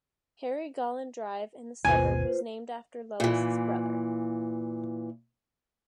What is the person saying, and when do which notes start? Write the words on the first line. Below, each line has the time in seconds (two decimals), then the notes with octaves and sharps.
Harry Galaun Drive in the suburb was named after Louis' brother.
1.85 G#1 D#2 B2 F4 B4 C5 G#5
3.20 A#2 E3